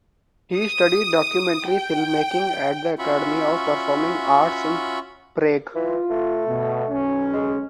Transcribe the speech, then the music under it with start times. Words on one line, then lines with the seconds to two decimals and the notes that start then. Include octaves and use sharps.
He studied documentary filmmaking at the Academy of Performing Arts in Prague.
0.58 D#6
1.70 G5
2.99 C#4 F4 F#4 E5 B5 C#6
5.75 E3 F4
6.10 A3
6.48 B2
6.90 B1 C#4
7.33 G#3